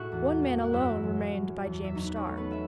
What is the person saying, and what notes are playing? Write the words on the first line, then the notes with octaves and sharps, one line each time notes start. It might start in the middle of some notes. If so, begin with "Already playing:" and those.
One man alone remained by James Starr.
Already playing: A2 G#3 E4 F#4 E5 F#5
E2
G#3
F#5
F#2 E4 E5
F#2
F#3
E2
E5
F#3 D#4 D#5
B4
C#4 C#5
A3
B3 B4
E5